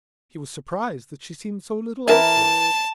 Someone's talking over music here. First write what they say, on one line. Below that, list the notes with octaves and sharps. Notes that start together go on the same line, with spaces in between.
He was surprised that she seemed so little awkward.
E3 A#4 E5 A5